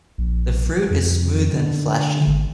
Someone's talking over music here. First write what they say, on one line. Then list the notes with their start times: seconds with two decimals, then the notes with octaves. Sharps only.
The fruit is smooth and fleshy.
0.18 A#1
0.91 F2
1.53 D3
2.27 G#1